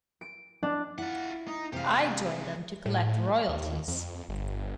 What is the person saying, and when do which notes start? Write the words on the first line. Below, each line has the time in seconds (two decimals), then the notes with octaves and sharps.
I joined them to collect royalties.
0.21 D7
0.63 D4
0.98 E4 F4 F#5
1.48 D#4
1.73 C3 G#3 G4 F5
2.86 A2
3.48 D#2
3.88 F2
4.29 G1